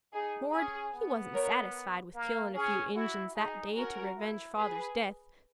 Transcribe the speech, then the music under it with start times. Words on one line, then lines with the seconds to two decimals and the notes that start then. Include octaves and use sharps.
'Mord' he wasn't satisfied with killin' a few Injuns that day to revenge Father's death.
0.13 D#4 G#4
0.53 C#4 G#4
0.94 B3
1.34 A#4 C#5
2.15 A#3
2.55 C#4 G#4
2.95 E4 F#4
3.36 D#4 G#4
3.75 C#4 F#4 A#4
4.16 E4
4.57 G#4 B4